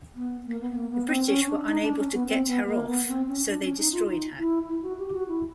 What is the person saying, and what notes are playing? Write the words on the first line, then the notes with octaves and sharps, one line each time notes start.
The British were unable to get her off so they destroyed her.
B3
A#3
B3
B3
A#3
B3
C4
C#4
D4
D#4
D4
C#4
B3
C4
B3
A#3
B3
C4
C#4
D4
C#4
D#4
F4
D#4
E4
E4
F#4
G4
F#4
E4